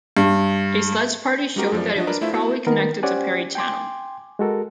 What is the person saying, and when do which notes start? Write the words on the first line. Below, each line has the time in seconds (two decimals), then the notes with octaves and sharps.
A sledge party showed that it was probably connected to Parry Channel.
0.17 G2
1.56 G3 G#3 D#4 F#4 G4 A#4
1.72 F#2 F3 D5
1.96 F3 D4 F#4 D#5
2.07 D4 A#4 B4
2.21 A3 E4 F4 C5 E5
2.33 B3 E4 F#4
2.67 D#3 B3 A#4
3.03 C#4 G4 C5 D5 F#5 G#5
3.55 G5 G#5 C6 D6
4.39 G#3 F#4 A4 A#4